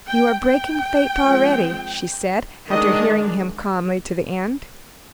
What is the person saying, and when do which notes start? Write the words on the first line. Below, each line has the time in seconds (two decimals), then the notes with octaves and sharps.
"You are breaking faith already," she said, after hearing him calmly to the end.
0.08 G5
0.45 G5
1.20 F3 G#3 C4
2.70 D#3 G#3 D4 D#5